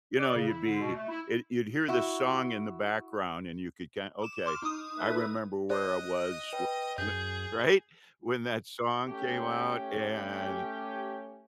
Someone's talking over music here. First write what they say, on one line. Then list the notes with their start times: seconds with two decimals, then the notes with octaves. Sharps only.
you know, you'd be eh, you'd hear this song in the background, and you could ki "Okay, I remember where I was w wh" Right? When that song came out, and
0.19 D5
0.34 C#3
0.48 E4
0.66 D3
0.80 B2
0.94 A3
1.09 E4
1.88 E4 F#4
4.22 D6 E7
4.46 C6 D6 F6
4.62 D#4 D#6
4.98 A3 B4
5.70 C5 D5 D#5 F#6
6.53 B4 G5
6.98 F#2 G#4 G6
9.08 A3 C#4 G4